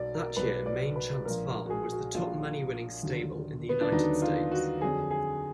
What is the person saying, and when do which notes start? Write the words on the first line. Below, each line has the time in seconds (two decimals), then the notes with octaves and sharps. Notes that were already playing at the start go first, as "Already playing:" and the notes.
That year, Maine Chance Farm was the top money-winning stable in the United States.
Already playing: B1 B2 F#3 D5
0.15 A#4
0.36 B1 B2 F#3 B4
0.66 D5
0.96 B4
1.25 A#1 A#2 F3 A#4
1.48 A#4
1.65 F#4
1.70 G#4
1.92 F#4
2.14 A#1 A#2 F3 F4
3.03 D#2 D3 F#3
3.69 B3
3.81 D4
3.92 D#2 D3 F#3 D#4
4.22 F4
4.52 F#4
4.81 F2 D3 F#3 G#4
5.11 G#4